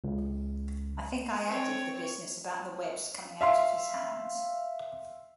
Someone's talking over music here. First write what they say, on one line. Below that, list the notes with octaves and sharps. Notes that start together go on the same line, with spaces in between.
I think I added the business about the webs coming out of his hands.
C#2
C4 C#5
E5 F5 C6